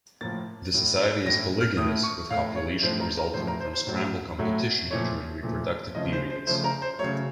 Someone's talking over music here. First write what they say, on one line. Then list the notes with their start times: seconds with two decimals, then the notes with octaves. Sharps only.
The society is polygynous with copulation resulting from scramble competition during reproductive periods.
0.21 A2 F3 A#3 A6
0.74 A2 A3
1.26 A2 A3 A#6
1.61 F6
1.77 A2 A3 D#6
2.03 C#6
2.30 A2 A3 F5
2.55 C#5
2.81 A2 F3 A3 C5
3.00 A#4
3.17 A#4
3.34 A2 F3 A3 C5
3.47 A#4
3.60 C5
3.73 C5
3.87 A2 F#3 A3
4.39 A2 F#3 A3
4.91 A#2 F3 A3 C#5
5.43 A#2 F3 A3
5.95 C#3 F3 A3 D#5
6.13 C5
6.30 C5
6.47 C#3 F3 A3 C5
6.64 A#4
6.82 C5
6.99 C#3 F#3 A3 C#5